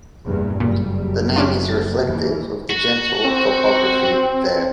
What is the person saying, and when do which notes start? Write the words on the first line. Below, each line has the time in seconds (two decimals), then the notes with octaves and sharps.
The name is reflective of the gentle topography there.
0.27 E2 G2 A#2
0.60 F#1 A#2 G3
1.36 C#4 D4 F4
1.69 A6
2.05 D#2 E3
2.70 F#4
3.25 C4